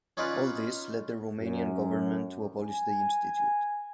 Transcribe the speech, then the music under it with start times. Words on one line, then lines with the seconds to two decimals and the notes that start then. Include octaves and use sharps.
All this led the Romanian government to abolish the institute.
0.17 C#4 D#4 F4 B4 D5
1.40 F#2
2.63 G#5